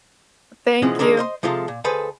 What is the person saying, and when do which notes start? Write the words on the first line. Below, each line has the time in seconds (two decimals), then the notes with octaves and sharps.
Thank you.
0.82 B2 E3 F3 G#3 C#4
0.99 D#3 G#3 D4 A4
1.17 C5 D#5 C6
1.43 C3 F3 G#3 F4 A4
1.68 A#2
1.84 D2 G#4 A4 B4 C5